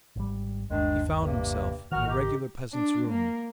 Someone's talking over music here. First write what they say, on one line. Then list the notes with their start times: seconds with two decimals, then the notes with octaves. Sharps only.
He found himself in a regular peasant's room.
0.16 G#1 G3
0.70 G1 D#2 D#3 G#3 D4
1.19 G2 C3 A#3
1.92 G#1 D#3 F#4 F6
2.07 D#4 G4
2.73 D4
3.08 A#3